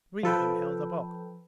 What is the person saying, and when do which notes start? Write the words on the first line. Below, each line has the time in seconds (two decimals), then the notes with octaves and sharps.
Three of them held a box.
0.23 F3 A4 B4 G5